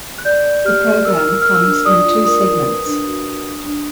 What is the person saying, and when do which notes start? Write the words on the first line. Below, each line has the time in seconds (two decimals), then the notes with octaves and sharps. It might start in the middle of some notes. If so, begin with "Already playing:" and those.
The program comes in two segments.
0.18 F#6
0.25 D5 G6
0.45 D5
0.65 G4 F6
0.85 D5
1.05 A#4 E6
1.17 F6
1.25 A#4 E6
1.41 A#4 F6
1.54 E6
1.65 D4
1.85 D5 D#6
2.06 F4
2.25 A#4 D#6
2.45 A#4
2.65 B4
2.86 D4
3.06 F#4
3.25 D4
3.45 D4
3.66 D4